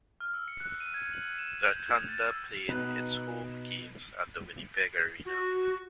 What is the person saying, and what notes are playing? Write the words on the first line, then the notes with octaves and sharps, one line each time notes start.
The Thunder played its home games at the Winnipeg Arena.
F6
E6
C#7
F#6
D#7
G#6
F#7
E7
G6
G#6
A6
E6
B2 D#4 B4
F#4